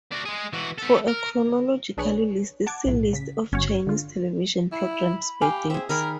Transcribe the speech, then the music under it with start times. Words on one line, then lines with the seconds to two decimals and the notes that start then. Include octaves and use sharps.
For a chronological list, see List of Chinese television programs by date.
0.12 D4 F#4
0.25 G#3 G#4
0.53 E3 F#4
0.78 B3 A4
1.08 A#4
1.97 B1 D4 G#4 B4 C#5
2.67 F#5 A5 D6 G#6
2.85 B1 A2
3.13 C#3 B6
3.52 G1 C#4 F#4 C#5
3.87 D3 F4
4.72 E4 B5
5.42 G4 F5 G#5
5.70 C4 G#4 E5
5.89 D#3 G#4 A#4 B5 F6